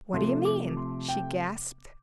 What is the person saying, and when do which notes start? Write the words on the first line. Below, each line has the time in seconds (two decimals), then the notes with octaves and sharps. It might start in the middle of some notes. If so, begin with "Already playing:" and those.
"What do you mean?" she gasped.
0.13 C3 F3 A3 C6
0.45 D6
0.77 C6
1.09 G5